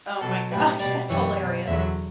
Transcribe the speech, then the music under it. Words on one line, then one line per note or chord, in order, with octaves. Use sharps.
Oh my gosh, that's hilarious.
B2 F#3 A4
A2 G3 B4
B2 G3 D5
F#2 E3 G3 C#5
B2 F#3
E2 D3 F#3 E5